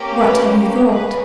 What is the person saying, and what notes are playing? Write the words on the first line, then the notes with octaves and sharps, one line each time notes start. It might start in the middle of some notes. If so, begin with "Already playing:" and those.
"What have you thought?"
Already playing: A#3 C#4 G4
B4
A#3 C#4 G#4 B4